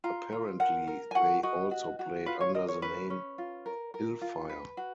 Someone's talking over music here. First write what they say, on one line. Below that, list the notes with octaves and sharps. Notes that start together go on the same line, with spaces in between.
Apparently, they also played under the name Hill-Fire.
F4 A#5
F4
A#4 F#5
A#4
G#5
F#4 F#5
F#4 D#5
F#4
F#4
F4 B4
C#5
A#4 D#5
C#5
C#4 B4
C#4
F4
A#4
A#4
F4
B4
F#4